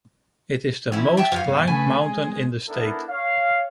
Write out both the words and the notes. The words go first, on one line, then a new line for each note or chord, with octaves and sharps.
It is the most climbed mountain in the state.
E3 C#4 E4
E5 G5 A5
F2 F4 G4 C#5 F5
G2 B2
C#3 A3 B4 G#5
G#3
B3 D4 E4 A4 A#4
C#5 F5